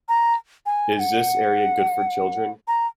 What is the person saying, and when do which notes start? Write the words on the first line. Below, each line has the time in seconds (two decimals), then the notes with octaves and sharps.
Is this area good for children?
0.08 A#5
0.66 G#5
0.95 G#5
0.99 F#5
2.68 A#5